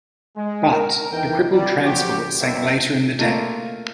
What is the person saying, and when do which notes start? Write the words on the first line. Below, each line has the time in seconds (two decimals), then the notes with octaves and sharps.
But, the crippled transport sank later in the day.
0.37 G#3
0.72 A#4
1.12 E2 E3 D#4 A#4 G5
1.52 C2 G3 D5
1.83 F3 F#3 A3 C4 F#4 G4
2.40 F#1 C2 B2 A#3 C4 E5
3.19 A3 A#3 F4